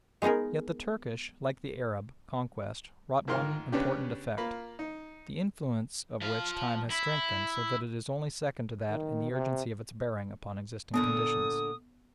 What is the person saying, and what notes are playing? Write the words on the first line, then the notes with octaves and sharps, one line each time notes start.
Yet the Turkish, like the Arab, conquest wrought one important effect, the influence of which time has strengthened so that it is only second to that in the urgency of its bearing upon existing conditions.
G#3 B3 D#4 G#4 A#4
G#2 D#3 F4 A#4 C6 F6
C#3 B3 C#4 D4 G4
A#3 F4 B5
D#4
F3 F5
E4
D#3
C3
A#2 D3 B3 D4 D#6